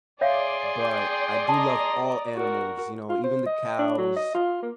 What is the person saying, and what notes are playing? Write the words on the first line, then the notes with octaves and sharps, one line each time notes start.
but I do love all animals, you know, even the cows,
G#4 C#5 D5 E5 F5 C6
G5
D#5 A5 A#5
F#4 A#4
F4
C5
D#5
D4
F#3
D#5
F4
A#3